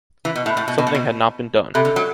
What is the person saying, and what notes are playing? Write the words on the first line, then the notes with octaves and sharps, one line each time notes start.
Something had not been done.
E3
B2
A2 E5 B5 F#6
A2
B2
B2
A2
B2
C3 A4 E5 B5 F#6
D3
F#3